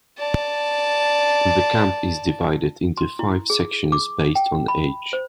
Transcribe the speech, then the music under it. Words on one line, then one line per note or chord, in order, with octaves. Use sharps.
The camp is divided into five sections based on age.
D5 A5
C6
E4
G#4
D6
G5
B5
C5